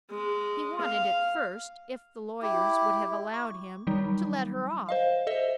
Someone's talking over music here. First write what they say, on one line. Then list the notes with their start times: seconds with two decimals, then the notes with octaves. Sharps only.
He wanted, at first, if the lawyers would have allowed him, to let her off.
0.11 G#3
0.81 F5
2.42 E4 G4
3.34 C#6
3.87 D#3 F#3 G3 D#4
4.89 C5 D#5 F5
5.27 A4 C5 D#5 E5